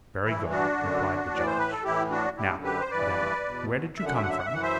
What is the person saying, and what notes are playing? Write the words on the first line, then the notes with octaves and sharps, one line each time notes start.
"Very good," replied the judge; "now, then, where did you come from?"
G2 E3 E4
D4 F#4
F#2 D3
A2 E3 D5
C5
B4
A4
A2 E3 E4 G4
D4 F#4
F#2 D3 E4 G4
G4 B4
C5
G2 E3 B4 D5
E2 B2
F#2 D3 E5
F#5
E5
F#5
E5
F#5
E5
F#2 E3 F#5
C5 E5